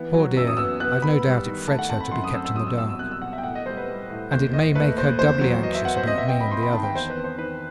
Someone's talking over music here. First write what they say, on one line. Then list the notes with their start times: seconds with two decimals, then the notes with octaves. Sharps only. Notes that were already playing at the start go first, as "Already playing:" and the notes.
Poor dear, I've no doubt it frets her to be kept in the dark, and it may make her doubly anxious about me and the others.
Already playing: E3 B3
0.14 F#3
0.36 F#2 E6
0.47 D#6
0.57 B3 E6
0.80 B3 F#6
1.02 B3 B5
1.25 G3
1.46 D#3
1.68 A3 A5
1.79 F#5
1.90 C4 A5
2.01 B5
2.11 F#2 C6
2.24 D#6
2.33 C4 E6
2.45 E6
2.56 F#3 D#6
2.67 E6
2.78 B2 E6
2.89 E6
2.99 C2 F#6
3.11 E6
3.22 B2 F#5
3.33 E5
3.38 G5
3.43 A2 F#5
3.55 D#5
3.66 G3 C5
3.77 B4
3.88 G3
4.10 A2
4.31 D#2 C5
4.53 D#2 D#5
4.75 A3 B4
4.97 D#2 C5
5.19 E2 C5
5.41 F#3
5.63 B3 D#5
5.74 E5
5.85 B3 F#5
5.97 C5
6.07 C4 D#5
6.18 E5
6.28 C4 G5
6.41 B5
6.51 C4 C6
6.63 B5
6.73 D#3 A5
6.83 G5
6.95 E2 C5
7.10 B4
7.17 C4
7.24 C5
7.38 D#3 B4